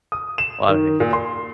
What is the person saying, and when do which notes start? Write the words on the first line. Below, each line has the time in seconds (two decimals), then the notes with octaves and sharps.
a lotta hair.
0.12 D#6
0.38 E7
0.68 D#3
1.00 A#2
1.13 C6